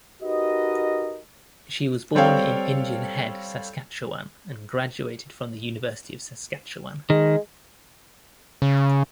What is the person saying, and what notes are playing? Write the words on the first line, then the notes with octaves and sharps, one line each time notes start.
She was born in Indian Head, Saskatchewan and graduated from the University of Saskatchewan.
D#4 F#4 G4 A#4 B4 D#5
G3 C4 A4 C#5 F5 G5
D#3 G#3
C#3